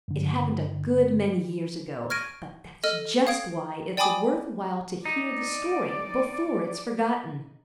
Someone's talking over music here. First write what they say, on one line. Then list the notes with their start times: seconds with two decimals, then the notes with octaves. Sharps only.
It happened a good many years ago, but that's just why it's worth while to hear the story before it is forgotten.
0.08 G2 D3
2.10 C#6 F6 G#6 A#6 D7 D#7
2.84 A4 D#5 F6 D#7
3.27 F5 D#6 G#6 D7
3.97 D5 G5 G#5 B5 D6 D#6
5.05 D#4 D5